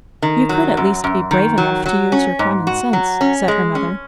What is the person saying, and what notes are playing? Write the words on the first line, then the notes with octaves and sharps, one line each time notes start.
"You could at least be brave enough to use your common sense," said her mother.
D#3
F#3
F#2
F#2
D#3
F#3
F#3
C#4
G#2
F#4
F#3
C#4
G#3
C#4